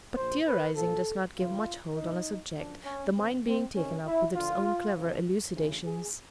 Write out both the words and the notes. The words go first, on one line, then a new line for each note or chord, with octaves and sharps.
But theorizing does not give much hold on a subject, the mind being taken up with its own clever elucidations.
A#1 A#2 F3 C5
B4
A#1 A#2 F3 A4
E2 C#3 E3 F4
C2 A#2 F3 D#4
F#2 D3 F3 D4
C#4
B1 A2 E3 C4
C4
C#2 C3 D#3 C#4
E4
D2 D3 F3 F4
F2 C#3 F3
D2 C#3 E3
G#4